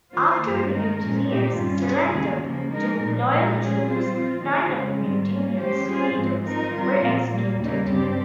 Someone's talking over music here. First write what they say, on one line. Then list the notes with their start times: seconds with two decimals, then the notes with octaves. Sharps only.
After the mutineers surrendered to loyal troops, nine of the mutineers' leaders were executed.
0.13 D#3 A#3 F4 C5
0.42 G2 F3 A#3 F4 C5
0.71 D#3 G#3 D#4 A#4
0.99 A#2 F3 G#3 C#4
1.28 A#2 G#3 C4 D#4 G4
1.56 G2 D#3 G3 C#4 F4
1.84 C3 G3 C#4 G#4
2.13 D#2 D#3 A#3
2.42 C#3 F3 A#3
2.70 F3 G#3 D#4 A#4
2.99 A#2 F3 G#3 D#4
3.28 A#2 G#3 D#4 A#4
3.57 F3 G#3 C#4 G#4
3.86 G3 C4 F4 C5
4.14 F3 C4 F4
4.43 D#3 A#3 D#4 G#4 C5
4.71 F2 C#3 G#3 C#4
5.01 G#2 D#3 G3 C4
5.29 G3 A#3 C#4
5.57 D#3 G#3 C#4 G4 C5
5.87 G3 C#4 F4 G#4 C5
6.14 G#2 F3 G#3 C4
6.43 F3 C4 D#4 A#4
6.72 D#3 G3 C4 F4 A#4
7.01 A#2 F3 C4
7.29 A#2 G3 A#3
7.59 D#2 C#3 G3 A#3 D#4
7.87 G2 G3 C4 G4